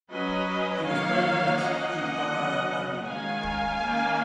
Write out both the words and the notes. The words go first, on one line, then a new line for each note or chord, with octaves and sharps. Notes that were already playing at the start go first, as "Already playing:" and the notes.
He was buried at Cupar Abbey.
F#3 C#4 B4 D#5
D#3 F#3 A#3 C#5 F5
F3 A#3 C#4 D#5 F#5
D#3 F#3 B3
D#3 G#3 C#4 F5 G#5
D#3 A#3 C#4